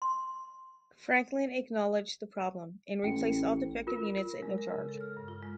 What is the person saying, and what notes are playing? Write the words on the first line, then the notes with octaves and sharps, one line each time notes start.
Franklin acknowledged the problem, and replaced all defective units at no charge.
C6
A1 G5
F4 A#4
A#4
G#3
A#4
C#3
A4
F6
G2
F4
G#3